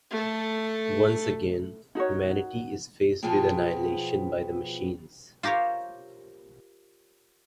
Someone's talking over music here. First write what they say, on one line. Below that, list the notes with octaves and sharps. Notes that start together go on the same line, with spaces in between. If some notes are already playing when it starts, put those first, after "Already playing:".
Once again, humanity is faced with annihilation by the machines.
A3 A4
D#4 F#4 A#4 C#5
B2 F3 B3 F4 G#4 G5
F4 G4 A#4 C5 C#5